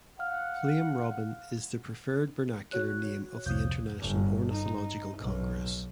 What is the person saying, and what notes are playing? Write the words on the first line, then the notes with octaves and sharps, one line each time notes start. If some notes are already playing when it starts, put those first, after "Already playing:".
"Flame Robin" is the preferred vernacular name of the International Ornithological Congress.
F5 F#5 F6
F#4 C#5 F#6
C2 F2 D#6 G6
G1
D#4
B1